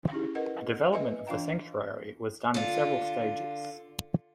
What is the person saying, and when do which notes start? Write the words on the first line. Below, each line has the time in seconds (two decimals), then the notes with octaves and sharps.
The development of the Sanctuary was done in several stages.
0.11 C#4 D#4 E4 G4 G#4
0.35 A#4 B4 D#5 F#5
0.93 B4 D#5 E5 G#5
1.27 E3 D4 F4 F5 G5 A#5
2.54 D3 F4